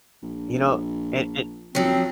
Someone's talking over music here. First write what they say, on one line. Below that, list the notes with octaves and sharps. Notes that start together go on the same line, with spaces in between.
You know, it it
A#1
D#1 F3 F#3 C4